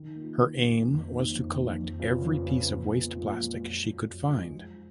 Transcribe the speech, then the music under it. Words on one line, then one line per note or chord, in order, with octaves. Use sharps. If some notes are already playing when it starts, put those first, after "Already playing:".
Her aim was to collect every piece of waste plastic she could find.
Already playing: D#3
A#3 F4
D#3
A#3 F4
F2
D#3 A#3
F2
D#3 A#3
F2
C#3 F3 B3 F4
F2
C#3 F3 B3 F4
A#2
F3 G#3 B3
A#2
F3 G#3 B3
F#2
F3 G#3
F#2
F3 G#3
F3